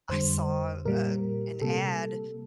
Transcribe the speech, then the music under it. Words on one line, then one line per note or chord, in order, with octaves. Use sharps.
I saw, uh, an ad
F2 D3 G3 C5
A#2 G3 A#3 A#4
C3 G3 A#3 A4